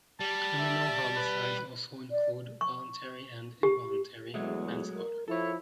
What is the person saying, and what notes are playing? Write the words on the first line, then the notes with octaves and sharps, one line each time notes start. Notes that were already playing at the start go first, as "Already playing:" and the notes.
Criminal homicides also include voluntary and involuntary manslaughter.
G3 A5
E5
B4
D5
C#6
G4
E2 F#3 G#3 A3
A#4
F3 E4 A4 C#5